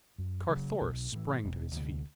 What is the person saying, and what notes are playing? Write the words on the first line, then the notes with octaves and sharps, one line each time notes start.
Carthoris sprang to his feet.
F#2
C#3 F#3
B1
A2 E3
E1
D2 C3